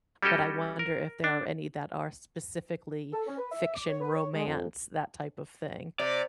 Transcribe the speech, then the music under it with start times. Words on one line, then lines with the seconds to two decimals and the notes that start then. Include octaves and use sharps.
but I wonder if there are any that are specifically fiction romance, that type of thing.
0.23 G3 C#4 F#4 G4 A4 D#5
0.79 A#4
1.24 D4
3.13 A4
3.27 C#4
3.38 B4
3.52 E5
3.75 D6
3.89 C#5
4.01 B4
4.14 C#5
4.34 G#3
4.46 F2
5.99 C3 D5